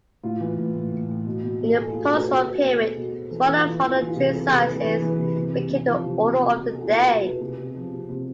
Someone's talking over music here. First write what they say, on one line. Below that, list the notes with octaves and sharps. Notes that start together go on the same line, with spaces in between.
In the postwar period, smaller model train sizes became the order of the day.
A2 F4
E3
A2
A2
A2
A2
B2
B2
B2
A4
B2 G#4
F4
B2
A4
B2 B4
B2 C5
B4
B2
G#4
B2 A4
B2
B2
B2
E3 A4
F4
E3
F4
E3 E4
E3 F4
G#4
E3
F4
C3
E3 A4
B4
C3
B4
E3 G#4
E3
E3
C3
C3
C3
C3
F3 F4
C3
C3
B2
B2
A4
B2 G#4
F4
B2 E4
B4
B2
B2 B4
C3 G#4
C3
F3
C3
C3